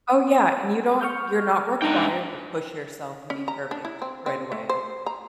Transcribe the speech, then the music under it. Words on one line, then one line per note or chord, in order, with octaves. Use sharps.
Oh, yeah, and you don't you're not required to push yourself and be perfect right away, a
C#6 F6 G6
G#2 D4 D#4 G5 A#5
C#4
A#5
D4
E4
C4
C4
A3
C5
A#5